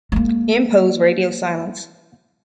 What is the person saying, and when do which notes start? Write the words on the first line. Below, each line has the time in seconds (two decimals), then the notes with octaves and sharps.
Impose radio silence.
0.12 G#3 A#3